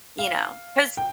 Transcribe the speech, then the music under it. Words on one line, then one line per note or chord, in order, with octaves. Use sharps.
You know, 'cause
F5
G5